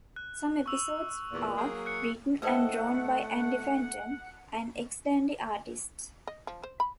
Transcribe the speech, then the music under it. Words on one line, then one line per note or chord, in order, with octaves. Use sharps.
Some episodes are written and drawn by Andy Fanton, an ex-Dandy artist.
F#6
C#6 E6 F7
E2 A#2
F#3 A#3 G#4
F#6 C#7
A3 E4 A4 B4 C5 D#5 F#5 G5
D#5
F3
C5
B5